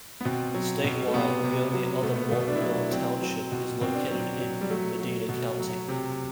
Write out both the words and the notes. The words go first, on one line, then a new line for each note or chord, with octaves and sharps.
Statewide, the only other Montville Township is located in Medina County.
B3
B2 C4
F#3
B2
A3
C3 B3
C3
F#3
B2 A3
B3
B2 A3
D4
E4
F#3 D4
F#3 C4
F#3
B2
B2 C4
D4
F#3 C4
F#3
G3
F#3 A3
F#3
B2
F#3
C3